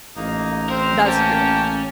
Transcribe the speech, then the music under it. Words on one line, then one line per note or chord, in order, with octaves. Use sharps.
That's true.
A1 A#3 D#4
C4 A#4 C5
A#3 C#4 G5 A5